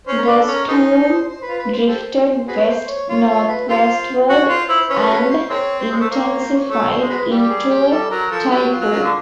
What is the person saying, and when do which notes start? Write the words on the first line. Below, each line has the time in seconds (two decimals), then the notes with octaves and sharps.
The storm drifted west-northwestward and intensified into a typhoon.
0.07 C#4 C5
0.18 A#4
0.22 B4
0.27 D4
0.38 A4
0.48 C#4
0.53 A#4
0.68 D#4 G4 A4 C5
1.29 C5
1.42 B4
1.48 F4
1.59 B4
1.74 C5
1.88 G4 A4 C5
2.48 F#4 G#4 B4
2.59 C#5
2.69 C5
2.88 C#5
3.09 F4 C#5
3.24 C5
3.28 C#5
3.48 B4
3.68 F4 G4 A4 C5
4.29 F#4 C#5
4.49 F4 C5
4.69 E4 C5
4.81 C5
4.90 C#4 B4
4.99 A#4
5.10 F#4 G#4 B4
5.30 C5
5.50 C4 G#4 A#4 C#5
5.80 C5
5.92 G#3
6.00 A3
6.10 A#3 C5
6.25 C#5
6.40 C5
6.55 C#5
6.70 A3 C#5
6.90 C5
7.00 G#3
7.10 F#4 G#4 B4
7.30 G3 G4
7.41 G4
7.50 G#4
7.70 G4
7.91 G3 A4
8.11 F#3 A#4
8.31 F3 A4
8.50 F#3 C4 E4 G4
8.71 F4
8.81 F#3
8.91 A#3 C#4 F4
9.04 D3